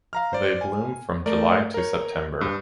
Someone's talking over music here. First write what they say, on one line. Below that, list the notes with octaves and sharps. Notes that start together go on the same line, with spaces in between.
They bloom from July to September.
F5 A#5 F6
C5 D5
G#5
A3 A#4 D5
A#4 C#5
G2